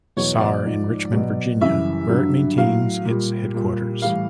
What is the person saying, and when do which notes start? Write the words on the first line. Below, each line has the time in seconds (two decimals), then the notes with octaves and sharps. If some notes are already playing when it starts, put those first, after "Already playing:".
Sauer in Richmond, Virginia, where it maintains its headquarters.
0.17 E2 B2 F#3 C#5
0.40 D5
0.65 G#2 F3
1.13 B2 F#3
1.61 F#2 C#3 E3 G3 E5
2.09 G2 D3 F#3
2.58 A2 F#3 F5
3.05 A#2
3.10 G3
3.54 A#2 G3
4.02 A2 E3 G3 F5